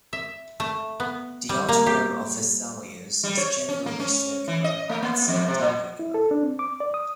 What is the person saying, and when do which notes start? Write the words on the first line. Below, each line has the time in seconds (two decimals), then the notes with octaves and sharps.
The outer rim of Vesalius is generally circular but somewhat irregular.
0.13 E5
0.60 A3
1.00 B3
1.49 G3
1.69 A#3
1.86 G4
3.24 G3
3.37 C#5
3.69 C#4
3.86 A#3
4.00 C#4
4.48 E3
4.64 D#5
4.89 A3
5.02 A#3
5.28 F2
5.48 C3
5.59 A#2
5.99 E4
6.14 A4
6.31 D4
6.43 C4
6.59 D6
6.80 D5
6.94 D#6